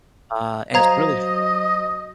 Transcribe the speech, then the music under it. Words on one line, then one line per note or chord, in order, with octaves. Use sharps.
uh, and it's really
F#3 C5 D#5 F5 A#5 G#6